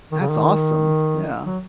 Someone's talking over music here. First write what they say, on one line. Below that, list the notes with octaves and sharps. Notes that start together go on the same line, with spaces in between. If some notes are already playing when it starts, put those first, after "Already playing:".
That's awesome, yeah.
D#3
C#3
D#3
F#3